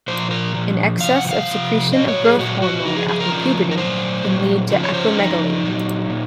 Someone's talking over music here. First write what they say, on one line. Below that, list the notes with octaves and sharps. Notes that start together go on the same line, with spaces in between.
An excess of secretion of growth hormone after puberty can lead to acromegaly.
A#2 F3 C5
A#4
A#2 F3
C3 F3 F5
F#5
F#5
F5
C3 F3
A#2 F#3 D#5
C#5
G#4
A#2 F#3 F#4
F#4
C#3 F3 D#4
G#4
G#4
A#4
C#3 F3
A#4
A#2 F#3 C5
A#2 F#3
C#3 F3
C#5
C5
C#4
C#3 F3 D#4
A#2 F#3
A#2